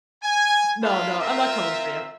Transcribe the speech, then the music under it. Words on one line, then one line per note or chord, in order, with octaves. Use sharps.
No, no, I'm not coming for you.
G#5
A#3 D4 E4 F4 F5 B5
C4 F4 A#4 E5